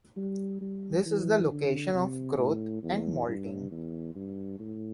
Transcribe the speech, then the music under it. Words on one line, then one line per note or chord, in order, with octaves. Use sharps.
This is the location of growth and molting.
G3
G3
E3
D3
C3
A2
E2
G2
E2
G2
A2